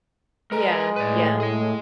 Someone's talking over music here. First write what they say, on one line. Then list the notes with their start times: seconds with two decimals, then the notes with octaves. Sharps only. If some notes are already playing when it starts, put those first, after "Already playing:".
Yeah, yeah.
0.52 G#3 A#4 B4 A#5
0.96 A2 B4 D5
1.40 G#4 D#5